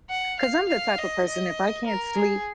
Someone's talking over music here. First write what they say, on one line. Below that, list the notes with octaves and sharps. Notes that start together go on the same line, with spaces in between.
'cause I'm the type of person, if I can't sleep
F#5
F5
F5
D#5
D#5
A#4
G#4